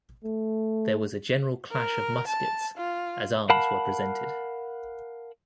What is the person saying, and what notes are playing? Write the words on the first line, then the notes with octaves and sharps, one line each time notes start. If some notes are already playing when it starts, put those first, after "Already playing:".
There was a general clash of muskets, as arms were presented.
A3
A#4
A5
F4
A#4 F5 F#5 A5 B5